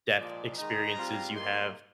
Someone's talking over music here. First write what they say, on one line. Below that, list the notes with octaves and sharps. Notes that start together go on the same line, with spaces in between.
death experiences you have
A#2 F3 G#3 D5
D#3 G#3 D#4 A#5
G#2 G3 C4 F4
C3 G3 A#3 D#4 C6